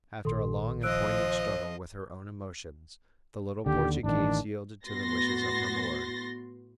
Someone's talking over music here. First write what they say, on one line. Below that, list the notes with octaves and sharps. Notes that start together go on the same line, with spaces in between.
After a long and poignant struggle with her own emotions the little Portuguese yielded to the wishes of her lord.
A#1 A#2 D#3 A4 C6
F3 C5 D#5 E6 F#6 D7
D#2 D3 G4
A1 D#3 D4
A2 B3 F#4 C6 A6 A#6